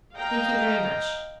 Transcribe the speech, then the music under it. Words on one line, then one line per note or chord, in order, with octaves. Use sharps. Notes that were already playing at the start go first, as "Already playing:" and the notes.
'Thank you very much.'
D#5 F5 G5 A#5